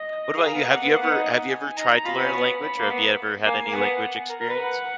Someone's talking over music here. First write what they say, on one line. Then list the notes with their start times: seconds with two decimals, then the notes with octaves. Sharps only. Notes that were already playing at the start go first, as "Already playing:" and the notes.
What about you? Have you ever have you ever tried to learn a language or have you ever had any language experience?
Already playing: D#5
0.36 G#4 F5
0.45 A#4
0.55 B3
0.64 F#5
0.73 A#3
0.84 B3
0.93 A#3
1.02 B3
1.11 D#4
1.49 G#5
1.77 D#4 A#5
2.05 F4 B5
2.18 B3
2.24 C#4
2.33 B3
2.62 B5
2.78 A#3
2.90 B3
3.45 A#3 G#5
3.68 A#3
3.73 B3 F#5
4.30 A#4
4.40 A#4
4.50 B4
4.59 F#5